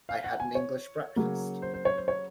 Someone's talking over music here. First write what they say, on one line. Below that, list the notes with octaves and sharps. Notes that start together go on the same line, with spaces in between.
I had an English breakfast.
F5
F#5
G#5
C#5
C#3 F#3 A#3
C5
C5
C#5
C5
C#5